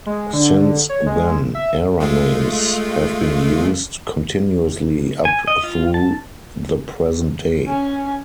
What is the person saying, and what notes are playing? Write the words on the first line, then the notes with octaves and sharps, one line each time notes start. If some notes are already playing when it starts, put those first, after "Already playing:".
Since then, era names have been used continuously up through the present day.
G#3
D3
C#5
G#3
E5
G#3 A3 F4
G#5
D#5
F4
A5
C#4 G#5